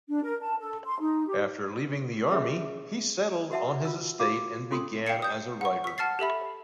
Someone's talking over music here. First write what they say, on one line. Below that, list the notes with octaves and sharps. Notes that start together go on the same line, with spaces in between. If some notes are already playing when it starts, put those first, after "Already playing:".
After leaving the army he settled on his estate and began as a writer.
D4
A#4
A5
A4
C6
D#4
G4
C#4 G4 G#4 C#5 E5
F#4 A#4 E5 F#5 A5
F4 E6
F4 F#4 F5 D6
C#4 F4 A4 A#4 C6 D#6
F5 G5 C7 C#7
D#6 G6
F#5 C#6
C#6 B6
F#5 A5 F6 A6 C7
G4 A4 E5 B5